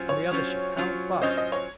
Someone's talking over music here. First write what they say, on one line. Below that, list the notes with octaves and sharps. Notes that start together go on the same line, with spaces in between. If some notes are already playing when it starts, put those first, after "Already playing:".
"And the other ship--how fast is it?"
Already playing: F#3 C#4 F4 C5
C#5
F#3 C#4 F4 C5
F#3 C#4 F4 C5
F#3 C#4 F4 C5 D#5
D#5
C#5